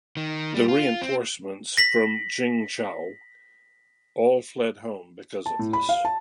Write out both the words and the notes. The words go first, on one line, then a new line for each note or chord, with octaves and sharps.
The reinforcements from Jingzhou all fled home because of this.
D#3
G3
F4
C4
A#6 B6 F#7
A5
A2
B5
F5
A5